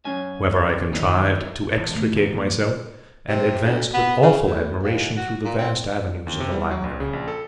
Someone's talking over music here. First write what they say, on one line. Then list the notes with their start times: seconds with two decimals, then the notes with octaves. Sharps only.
However, I contrived to extricate myself, and advanced with awful admiration through the vast avenues of the library.
0.05 F#2 C#4 G#5
0.69 C4 D5
0.93 F2 C3 D#3 F#3 D#4
1.77 E1 A#2
1.95 A2 E3 A3
2.14 D#1 G#2 D3
2.35 F3 A#3
3.29 C3
3.65 D2
3.94 B3
4.22 C#3
4.47 A2
4.83 D#2
5.17 F#4
5.45 A#2
5.59 C4
6.27 D#2
6.40 C3
6.51 G3
6.71 F#3
6.84 A#1
7.00 C#3
7.13 A#1
7.28 A4